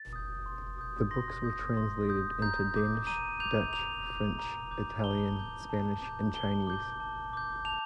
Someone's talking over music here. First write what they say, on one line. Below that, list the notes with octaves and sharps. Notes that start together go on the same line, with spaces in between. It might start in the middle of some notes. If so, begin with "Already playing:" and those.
The books were translated into Danish, Dutch, French, Italian, Spanish and Chinese.
Already playing: A6
D#6 G6
C6
D#6 G6
C6 A#6
D#6 G6
C6
D#6 G6
A#5 G6
D6 G6
A#5 D#7
D6 G6 F7
A#5 F7
D6 G6
A#5
D6 G6
A5 G7
D6 G6
A5
D6 G6
A5 G7
D6 G6
A5
D6 G6
A5 F7